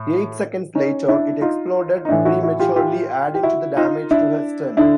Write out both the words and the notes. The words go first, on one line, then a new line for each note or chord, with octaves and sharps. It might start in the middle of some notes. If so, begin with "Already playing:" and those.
Eight seconds later, it exploded prematurely, adding to the damage to her stern.
Already playing: A2
C#4 D#4
D4 E4
D#4 F4
D#4
A2 E3 D4 E4
E4 F#4
E4 F#4
F4 G4
F4 G4
G4
E4 F#4
D#4 F4
D4 E4
D3 D4 E4